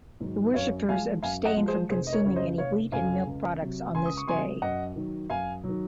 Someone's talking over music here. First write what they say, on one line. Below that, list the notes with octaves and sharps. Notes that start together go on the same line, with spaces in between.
The worshipers abstain from consuming any wheat and milk products on this day.
G#2 D#3 F#3
F#2 C#5 F5
F3 G#3 F5 G#5
F#2 F5 G#5
D#5 F#5
F3 G#3
G#4 C5
F1 G#4 C5
D#5
A#4 C#5
F2 C#3 F#3 C#5
C5 D#5
F1 C#5 F5
F2 C#3 F#3 F5 G#5
C#2
C3 F#3
C#2 G#5 C6
D#6
C#6
C3 F#3 G#5 C6
F#2 D#5 F#5
D#3 F#3
F#2 F5 G#5
D#3 F#3